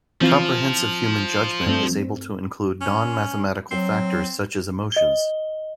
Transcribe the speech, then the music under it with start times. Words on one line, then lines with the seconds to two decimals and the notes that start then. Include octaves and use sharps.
Comprehensive human judgment is able to include non-mathematical factors such as emotions.
0.21 E3 F3 C4 F4
1.66 G2 A3 C4
2.81 C#4
3.71 F#3 C4
4.92 D#5 G7